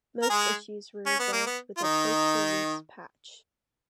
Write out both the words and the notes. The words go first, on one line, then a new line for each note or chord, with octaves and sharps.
Most issues were resolved with a post-release patch.
A#4
G#3 G#4
C#4
B3
A#3
B3
F4
D#3 D#4